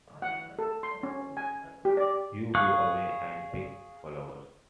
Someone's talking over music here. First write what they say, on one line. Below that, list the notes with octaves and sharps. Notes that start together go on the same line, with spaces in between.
You go away and pick flowers.
F#5
A4
C6
C#4
G#5
G4
D5
G#4 F5 C#6 F#6